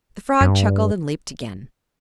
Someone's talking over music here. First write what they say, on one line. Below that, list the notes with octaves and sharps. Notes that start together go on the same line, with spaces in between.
The frog chuckled and leaped again.
F#2
G2